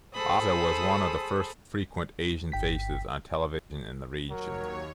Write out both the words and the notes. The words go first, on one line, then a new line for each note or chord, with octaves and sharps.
Oza was one of the first frequent Asian faces on television in the region.
G#4 A4 C5 A5 B5 D#6
G1 G5 B6
D#2 F#3 A#4 C#5